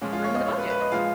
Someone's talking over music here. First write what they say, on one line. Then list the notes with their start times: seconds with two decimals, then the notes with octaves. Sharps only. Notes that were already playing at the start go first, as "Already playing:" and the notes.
room in the budget.
0.01 A#2 F3 G#3 C#4
0.13 F4
0.24 C#5
0.35 D#5
0.46 C#5
0.58 B4
0.70 B4
0.81 D#5
0.92 A#2 F3 G#3 F5